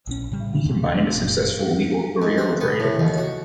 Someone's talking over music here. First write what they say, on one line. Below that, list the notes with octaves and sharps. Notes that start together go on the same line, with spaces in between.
He combined a successful legal career with writing.
A#1 C#3 C#4
A2 C#3 G3
D#2 G#2
F3 A3 B3 D4
F1 F#2 A#2
G2
G#2
C4
B3
A2
D#2
F#4